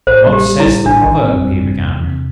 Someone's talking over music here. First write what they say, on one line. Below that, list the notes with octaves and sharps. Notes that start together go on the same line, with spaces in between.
"What says the proverb?" he began.
A1 C5
G3
G4
G3
E4
A1
A1 D4
A1
C4
G2
C3
E2
C3